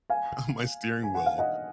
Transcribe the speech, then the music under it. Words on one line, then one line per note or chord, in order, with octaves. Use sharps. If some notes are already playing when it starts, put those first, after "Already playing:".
on my steering wheel,
F5 G#5
G#5
F#5
F5
D#5 F#5